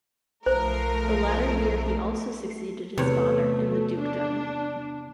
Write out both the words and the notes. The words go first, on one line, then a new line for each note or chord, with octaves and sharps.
The latter year he also succeeded his father in the dukedom.
B1 F3 A3 A#4 C5
E2 C3 A3 C#5
D4